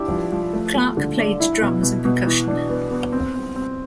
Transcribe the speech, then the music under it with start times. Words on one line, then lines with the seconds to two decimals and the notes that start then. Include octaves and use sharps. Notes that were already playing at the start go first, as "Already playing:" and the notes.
Clarke played drums and percussion.
Already playing: D4 E4 G4
0.10 F3
0.32 F3
0.53 A3
0.75 A3
0.97 D3
1.18 D4
1.40 E4
1.61 B2
1.83 B2
2.05 B2
2.26 E3
2.48 D4
2.70 B3
2.91 B3
3.12 C4
3.34 C4
3.56 C4